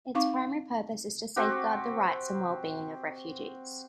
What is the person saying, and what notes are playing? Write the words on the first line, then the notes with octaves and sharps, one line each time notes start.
Its primary purpose is to safeguard the rights and well-being of refugees.
C4 D#4 F5 C#6 D6
C4 F#4 G4